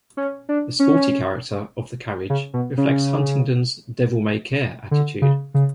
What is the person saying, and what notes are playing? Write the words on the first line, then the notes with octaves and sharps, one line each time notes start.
The sporty character of the carriage reflects Huntingdon's devil-may-care attitude.
C#4
D4
C#4
C#3
B2
C#3
D3
C#3
C#3